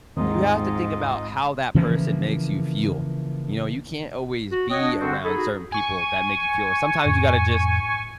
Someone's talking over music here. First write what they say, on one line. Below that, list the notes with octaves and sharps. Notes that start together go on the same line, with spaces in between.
you have to think about how that person makes you feel, you know, you can't always be around certain people that make you feel Sometimes you gotta just,
D#2 G#2 G#3 C4 D#4 F4 D#5
C#3 E3 F3 A#3
F#4
C4 C#5 D#5 F#5
D4
D3 C4 F#4
D#4 G#4 A4 B5
F#4
G#5 C#6
F2 A2